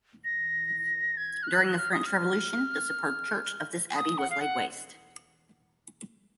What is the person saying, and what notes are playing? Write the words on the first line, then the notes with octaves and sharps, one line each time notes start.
During the French Revolution, the superb church of this abbey was laid waste.
A#6
G#6
F6
F#6
F6
D#6
F6
D#6
F#5
F5
F#5